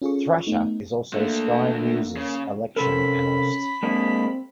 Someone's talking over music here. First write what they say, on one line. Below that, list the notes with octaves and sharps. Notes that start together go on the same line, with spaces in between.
Thrasher is also Sky News' Election Analyst.
C#4 F4 G#4 A4 C#6
A3 B3 D#4
D3 A3 A#3
C#3
C3 C#4 A4 A#4 B5
G#3 A#3 C4 D4